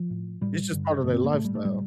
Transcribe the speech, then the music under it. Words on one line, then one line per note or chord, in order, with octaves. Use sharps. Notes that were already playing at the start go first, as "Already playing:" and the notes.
It's just part of their lifestyle.
Already playing: F3
A2
A2 G3
G2 D3
G2 D3 A3
C4
A#3
A2 A3
G3
A3
A2 G3